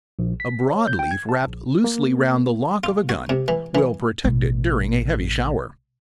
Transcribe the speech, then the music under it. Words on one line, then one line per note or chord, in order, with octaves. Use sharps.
A broad leaf wrapped loosely round the lock of a gun, will protect it during a heavy shower.
A#1
B6
C#5
G6
G5
G#6
A5
A#1
A#3
F4
F#4
C3
E3
E3
A1 B2